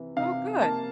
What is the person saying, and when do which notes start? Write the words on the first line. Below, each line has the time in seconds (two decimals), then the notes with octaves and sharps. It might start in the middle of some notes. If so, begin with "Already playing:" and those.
Oh, good.
Already playing: C3 E3
0.17 C3 F5
0.62 A#3 A5